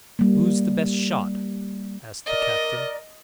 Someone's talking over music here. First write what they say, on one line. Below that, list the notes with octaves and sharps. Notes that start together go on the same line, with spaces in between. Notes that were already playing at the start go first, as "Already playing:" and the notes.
"Who's the best shot?" asked the captain.
G3 A#3
A#4 D5 D#5